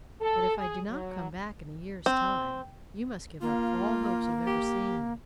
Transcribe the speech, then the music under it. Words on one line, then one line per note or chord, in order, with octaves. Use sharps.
But if I do not come back in a year's time, you must give up all hopes of ever seeing me.'
A4
G#4
F#3
C4
A#3 F4
G4